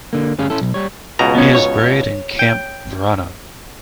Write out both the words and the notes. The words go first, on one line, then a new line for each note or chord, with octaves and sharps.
He is buried in Campo Verano.
D3 A#3
D2 G2 G3 C#4 G#4 F5
C#4 E4 A4
B1
G3 C#5
C#2 B2 A#5
B3 C#4
C#5
G5